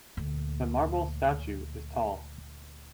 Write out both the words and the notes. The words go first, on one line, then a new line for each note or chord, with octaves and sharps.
The marble statue is tall.
D2 A#2